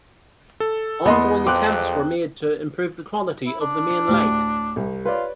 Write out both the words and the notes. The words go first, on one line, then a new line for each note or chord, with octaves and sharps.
Ongoing attempts were made to improve the quality of the main light.
A4
E2 B3 D#5 C6
F2 C4 D6 F#6
E4
D4
D2 A2 G4
C2
F4 B4 C#5 D5